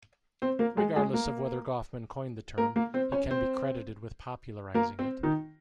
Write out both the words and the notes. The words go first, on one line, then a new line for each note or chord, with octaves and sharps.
Regardless of whether Goffman coined the term, he can be credited with popularizing it.
C4 C5
A#3 A#4
G#3 G#4
G#3 G#4
A#3 A#4
A#3 A#4
A#3 A#4
C4 C5
C#4 C#5
C4 C5
A#3 A#4
C4 C5
D#3 D#4